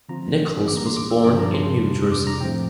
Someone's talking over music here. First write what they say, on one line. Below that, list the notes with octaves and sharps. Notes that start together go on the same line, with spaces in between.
Nichols was born in New Jersey.
D3 F3 C4 F4 A#5
E3 A#3 D4 D6
A#5
C6
D6
E6
G2 F3 A3 D4 D6
A5
A#5
C6
F2 C3 G3 D4
D6
A#5
A2 F3 A3 C4 G5